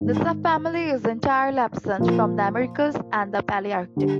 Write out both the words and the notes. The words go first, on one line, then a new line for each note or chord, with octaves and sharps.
The subfamily is entirely absent from the Americas and the Palaearctic.
G#2 D#3 G#3
A#2 F3 A#3
D3 G3